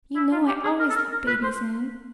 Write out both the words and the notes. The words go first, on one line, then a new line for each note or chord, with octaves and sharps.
You know I always loved babies, Anne.
E4
F4
G4
G#4
A#4
A4
A#4
A#4
B4
C5